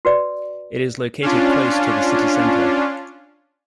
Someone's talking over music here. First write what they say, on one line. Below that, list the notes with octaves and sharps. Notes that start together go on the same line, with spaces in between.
It is located close to the city center.
F#4 B4 D5
C#4 D4 F4